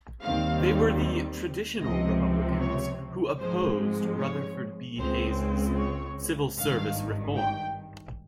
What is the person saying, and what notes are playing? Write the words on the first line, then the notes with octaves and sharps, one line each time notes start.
They were the "traditional" Republicans who opposed Rutherford B. Hayes's civil service reform.
D#2 D#3 G3 C4 F5
C#2 C3 F3 C4 D#5
C#5
G#2 F3 G#3 C4 C5
C#5
C#2 C#3 G#3 C4 C5
C#5
G#1 G2 D#3 F5
G5